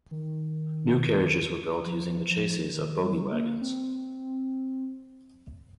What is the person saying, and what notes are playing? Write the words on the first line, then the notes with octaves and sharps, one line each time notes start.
New carriages were built using the chasses of bogie wagons.
D#3
F3
F3
D#3
G3
F3
G3
A#3
C4